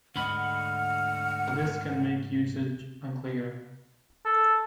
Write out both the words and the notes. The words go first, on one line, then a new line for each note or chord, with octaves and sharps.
This can make usage unclear.
D2 G#2 D3 D#5 F#5 B5 F6
A4